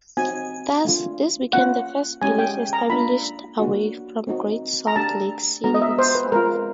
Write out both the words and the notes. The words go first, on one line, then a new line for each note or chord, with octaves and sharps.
Thus, this became the first village established away from Great Salt Lake City itself.
C4 D#4 F#4 G#5
A3 D4 F4
A#3 C#4 F4 F#5
G#3 C#4 E4 G4 G#5
G5
A#5
A#3 D4 F4 B5
A#3 D4 F#4
C4 D#4 F#4
A#5
A3 D4 G4 A5
G#3 B3 D4 F#4 A#5
D#5
E5
C5
B4
G#3 C4 F4 A#4